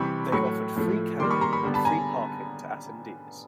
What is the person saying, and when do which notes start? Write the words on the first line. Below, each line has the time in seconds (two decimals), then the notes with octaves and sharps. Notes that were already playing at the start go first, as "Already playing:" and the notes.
They offered free camping and free parking to attendees.
Already playing: C3 E3 G3 C4 B5 C#6
0.32 A2 F#3 A3 B5 C#6
0.76 A2 F3 A3
1.20 D#3 C6 D6
1.23 G3 A#3
1.31 B5 C#6
1.41 A#5 C6
1.53 B5 C#6
1.63 D3 G3 B3
1.74 A5 B5
1.85 G#5 A#5